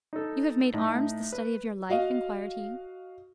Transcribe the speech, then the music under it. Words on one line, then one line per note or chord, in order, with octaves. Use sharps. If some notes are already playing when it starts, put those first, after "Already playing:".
"You have made arms the study of your life?" inquired he.
D#4 A4
A2 D#4
B4
F#4 D#5 F5